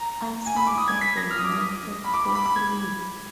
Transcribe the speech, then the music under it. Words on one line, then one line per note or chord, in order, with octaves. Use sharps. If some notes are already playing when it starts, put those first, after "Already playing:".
Icemen of the United Hockey League.
Already playing: A#5
G#5
B5
D6
D#6
G#6
B6
A#6
F6
D#6
D6
D#6
B5
D6
B5
B5
B5
G#6